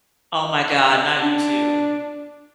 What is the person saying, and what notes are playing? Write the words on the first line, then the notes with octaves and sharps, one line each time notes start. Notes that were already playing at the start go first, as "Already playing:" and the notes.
Oh, my God, not you, too.
D4